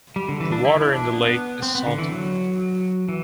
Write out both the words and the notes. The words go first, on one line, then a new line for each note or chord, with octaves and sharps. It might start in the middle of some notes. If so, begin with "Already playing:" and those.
The water in the lake is salty.
G3
D3
E3
D4
E4
E4
D4
B3
C4
B3
D3
E3
F#3
E3